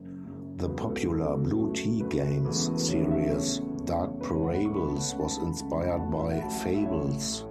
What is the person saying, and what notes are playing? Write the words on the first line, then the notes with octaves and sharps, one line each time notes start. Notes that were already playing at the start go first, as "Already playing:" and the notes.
The popular Blue Tea Games series "Dark Parables" was inspired by "Fables".
Already playing: F#1 F#2 C#3
F#1 F#2 C#3
C#2 C#3 F#3 B3 B4
A4
A4
F#4
C#2 C#3 F#3 B3 A4
F#2 F#3 A3
F#2 F#3 A3 B4
E1 E2 C#3 E3 A3
F#4
A4
B4
E1 E2 C#3 E3 A3 C#5
E5
E2 C#3 A3 C#5
E2 C#3 A3
C#2 B2 A3 B4
C#5
F#5
B5
C#2 B2 A3 C#6
B5
A5
F#5
C#2 C#3 A3 F#5
A5
A5
B5
A5
C#2 C#3 A3
A5
A1 A2 F#3 A3 F#5
F#5
E5
F#5
B5
A1 A2 F#3 A3 A5
F#5
E5
E5
A1 A2 A3 C#5
A2 A3